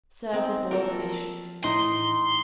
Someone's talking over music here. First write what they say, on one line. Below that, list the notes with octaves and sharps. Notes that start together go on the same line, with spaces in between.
Serve with boiled fish.
B3 C4 D#4
F3 A#3 A4 A#4
A2 E3 D#4 C6